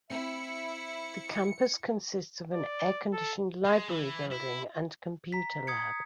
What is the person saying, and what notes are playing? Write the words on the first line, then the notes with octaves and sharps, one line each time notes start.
The campus consists of an air-conditioned library building and Computer Lab.
C4 E4 E5 C#7
D5
A4
G#3
E3
E4
A#5 B6
D#6 G#6 C#7